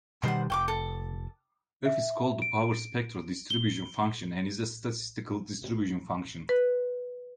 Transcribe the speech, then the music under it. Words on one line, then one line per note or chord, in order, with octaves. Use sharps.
"F" is called the power spectral distribution function and is a statistical distribution function.
B2 D#3 G3 C5 F#5
F1 G5 C#6 D6
A4
E5
D7
G7
B4